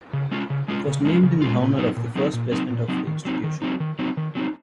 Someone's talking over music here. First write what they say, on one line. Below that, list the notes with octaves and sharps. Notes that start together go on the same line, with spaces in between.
It was named in honor of the first president of the institution.
C#3
G#3 C#4 F4
C#3
G#3 C#4 F4
C#3
G#3 C#4 F4
C#3
G#3 C#4 F4
A#2
F#3 C4 D#4
A#2
F#3 C4 D#4
A#2
F#3 C4 D#4
A#2
F#3 C4 D#4
D#3
F#3 C4 D#4
D#3
F#3 C4 D#4
D#3
F#3 C4 D#4
D#3
F#3 C4 D#4